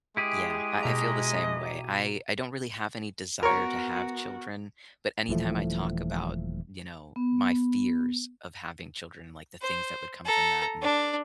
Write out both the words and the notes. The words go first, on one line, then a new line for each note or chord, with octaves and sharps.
Yeah, I I feel the same way, I I don't really have any desire to have children, but anytime I talk about, you know, my fears of having children, like, the things that would come from that, and
G#3 E4 G4 G#4
B2 D#5 A#5
B3 F#4 A#4 C#5
D#1 E3 F3 A3
B3
C5
A4 A#5
D4